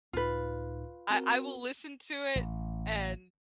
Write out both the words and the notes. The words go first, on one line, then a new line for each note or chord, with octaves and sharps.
I I will listen to it and,
C#2 A2 D#4 F4 B4
C4 F#4 A#4
A1